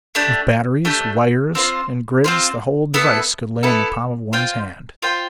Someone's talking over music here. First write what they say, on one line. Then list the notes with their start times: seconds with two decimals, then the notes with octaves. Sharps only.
With batteries, wires and grids, the whole device could lay in the palm of one's hand.
0.15 A3 D4 G4
0.85 A3 D4 G4
1.55 C4 F4 C5
2.24 C4 F4 C5
2.94 B3 E4 A4
3.63 B3 E4 A4
4.33 F4 C5 G5
5.02 F4 C5 G5